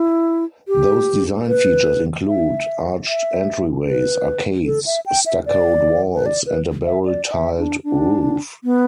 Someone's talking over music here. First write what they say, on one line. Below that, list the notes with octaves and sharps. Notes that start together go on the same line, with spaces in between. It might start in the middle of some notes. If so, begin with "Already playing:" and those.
Those design features include arched entryways, arcades, stuccoed walls and a barrel-tiled roof.
Already playing: E4
G4
B4
E5
E5
B4
A4
E5
G5
E5
D5
B4
D5
B4
E5
D5
D5
E5
D4
D4
B3